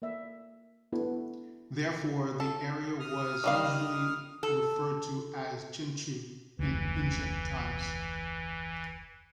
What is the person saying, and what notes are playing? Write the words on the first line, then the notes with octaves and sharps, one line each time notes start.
Therefore, the area was usually referred to as "Chen Chu" in ancient times.
A#3 D5 E5
B3 D4 E4 F#4 A4 B4
A4
D#6 F6
D#3 G3 F5
A4
F1 D2 E3